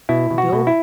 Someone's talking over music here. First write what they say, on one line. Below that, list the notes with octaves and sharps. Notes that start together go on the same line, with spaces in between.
Bill H
B2 E4
B2
F#4
B2
E4